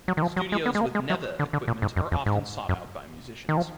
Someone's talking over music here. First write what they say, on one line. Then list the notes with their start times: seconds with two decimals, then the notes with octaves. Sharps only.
Studios with Neve equipment are often sought out by musicians.
0.08 F#3
0.17 D#3
0.22 F3
0.36 F#3
0.52 G#3
0.66 B3
0.75 G#3
0.81 A#3
0.95 G#3
1.10 F#3
1.39 D3
1.53 D3
1.68 A#2
1.82 G#2
1.96 F#2
2.12 F2
2.26 G#2
2.69 F#2
3.49 D#3
3.57 F3